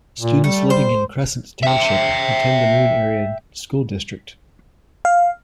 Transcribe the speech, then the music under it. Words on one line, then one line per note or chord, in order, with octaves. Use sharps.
Students living in Crescent Township attend the Moon Area School District.
A#2
G3 A3
C5
E5 G5
F5